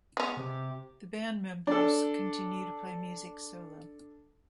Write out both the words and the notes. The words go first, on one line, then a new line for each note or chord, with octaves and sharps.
The band members continue to play music solo.
G#3 B3 C#4
C3 G4
D4 A4